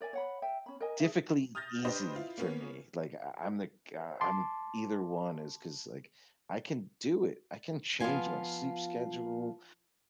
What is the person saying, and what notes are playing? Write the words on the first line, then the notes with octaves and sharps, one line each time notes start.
Typically easy for me, like I I'm, like, uh, I'm either one is ‘cause, like, I can do it. I can change my sleep schedule.
A#4 D5 E5 G#5
C#5 F#5 B5
E5 G5
C#4 B5
A#4 D#5 G#5
G#4 A4 E5
D#6 F6 G6 A6 A#6
D4 G4 B4 C5 D#5
E4 F4
A#3 B3 C#4
A5 C6 D6
F3 B3 F4 G#5